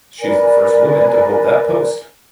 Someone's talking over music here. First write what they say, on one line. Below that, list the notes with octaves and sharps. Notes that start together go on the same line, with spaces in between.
She is the first woman to hold that post.
A#4 B4 D5 G#5